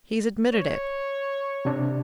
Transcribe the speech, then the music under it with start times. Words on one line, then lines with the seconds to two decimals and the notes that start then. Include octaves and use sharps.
He's admitted it.
0.53 C#5
1.65 C3 D4